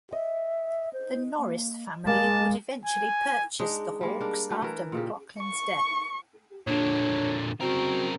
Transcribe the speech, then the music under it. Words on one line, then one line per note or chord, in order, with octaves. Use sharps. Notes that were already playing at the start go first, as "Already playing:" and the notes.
The Norris family would eventually purchase the Hawks after McLaughlin's death.
D#5 E5
C5
A#3
G#3 A#3 G#5 A5
G#5
G#3 D4 D#4
G3 G#3 A#3
D4 A#4
F#3 A3
E3 A#4
A#2 C#3 G4
C#6
A#2 D3 D4 C#5
C#3 C4 F#4 A#4